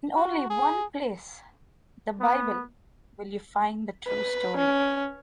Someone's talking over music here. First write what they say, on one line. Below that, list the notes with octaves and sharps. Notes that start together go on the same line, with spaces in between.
In only one place - the Bible - will you find the true story.
F#4
G#4
B3
B4
C#4